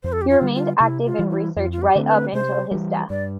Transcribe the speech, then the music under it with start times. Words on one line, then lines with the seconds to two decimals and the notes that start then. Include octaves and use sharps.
He remained active in research right up until his death.
0.04 F2 C5
0.13 A4
0.22 G4
0.29 F4
0.41 D3 G3
0.55 F4
0.80 C3 E4
1.06 F4
1.19 E3 G3
1.31 E4
1.56 F2 F4
1.72 F4
1.82 G4
1.95 D3 A3 C4
2.08 B4
2.33 C3 C5
2.71 E3 G3
3.10 G2 D5